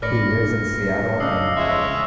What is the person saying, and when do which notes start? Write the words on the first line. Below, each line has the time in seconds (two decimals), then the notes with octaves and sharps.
He lives in Seattle and New York.
0.02 A2 B4 D5 F6 A#6 C#7
1.20 C#3 D4 D#4 D#6 E6 C7
1.56 G#3 C#5 E5